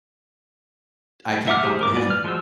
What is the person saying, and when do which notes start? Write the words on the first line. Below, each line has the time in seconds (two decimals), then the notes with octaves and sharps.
I can't comprehend.
1.48 E5 F#5 D6 F6
1.63 G4 G#4 C5
1.81 A#4 D6
1.95 B4 D5
2.10 F6
2.24 F3 G#3 F#4 C5 E6